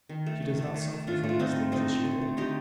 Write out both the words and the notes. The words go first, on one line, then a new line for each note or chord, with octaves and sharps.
She does not suffer from these things as she did.
D#3
A3
D#3
A3
D#3
A3
D#3 D4 F4
A3
F4
D3 C4 D#4
A3
D3 C4 D#4
A3
D3
A3
D3 D#4 G4